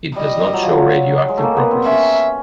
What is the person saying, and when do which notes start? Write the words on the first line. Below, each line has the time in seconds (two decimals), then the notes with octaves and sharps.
It does not show radioactive properties.
0.15 G3 D#5
0.43 G3
0.54 F#3
0.63 F3
0.72 F#3
1.28 G#3
1.38 A3
1.43 A#3
1.57 B3
1.71 C4
1.85 C#4 E5